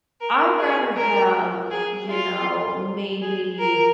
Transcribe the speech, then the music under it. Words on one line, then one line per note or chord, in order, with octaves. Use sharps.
I'd rather have, you know, maybe
A#4
G#4
A#4
G#4
F4
G#4
A#4